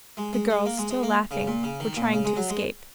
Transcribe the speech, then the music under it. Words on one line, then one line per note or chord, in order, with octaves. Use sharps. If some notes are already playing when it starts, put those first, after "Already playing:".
The girls, still laughing, were trying to escape.
G#3
G#3
G#3
A#3
G#3
G#3
A#3
C#3
A#2
C#3
D#3
A#2
C#3
G#3
F#3
G#3